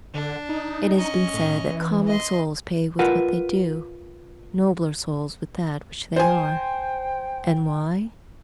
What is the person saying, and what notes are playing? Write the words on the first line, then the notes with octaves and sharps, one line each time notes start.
It has been said that "common souls pay with what they do, nobler souls with that which they are." And why?
D3 D4
D#4
C#4 D#5
A2
E3
D#5 C6
F4 A#4 B4 F#5
C5 G5 G#5